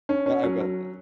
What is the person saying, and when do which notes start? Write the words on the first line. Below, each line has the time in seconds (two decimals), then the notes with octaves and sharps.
Yeah I will tha
0.09 C#4
0.26 C#4
0.43 F#3
0.61 F#3